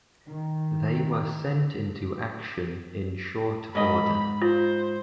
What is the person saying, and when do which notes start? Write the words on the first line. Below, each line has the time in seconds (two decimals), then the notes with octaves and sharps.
They were sent into action in short order.
0.27 D#3
3.75 G#2 D#5 B5
4.42 F4 C5